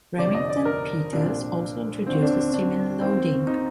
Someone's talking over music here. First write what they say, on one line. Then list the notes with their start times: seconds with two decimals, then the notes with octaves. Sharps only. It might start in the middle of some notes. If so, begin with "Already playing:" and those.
Remington-Peters also introduced a similar loading.
0.18 G1 F2 C3 F3 D5
0.34 D#5
0.50 D5
0.65 A#4
1.12 C2 A#2 F3 D4
2.06 D#2 D3 F3 C4
2.22 D4
2.54 D4
3.01 D#2 D#3 C4
3.47 D#4